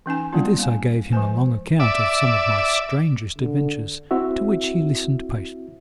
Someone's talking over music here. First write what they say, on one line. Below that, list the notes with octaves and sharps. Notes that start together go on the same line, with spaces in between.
With this I gave him a long account of some of my strangest adventures, to which he listened patiently.
E3 C#4 D#4 G#5
G3 A#3 B3 C#4 D4 F4
A#3 G#5
F3 G#3 B4 C5 G#5
D5 E5
D3
C4 E4 F#4 E5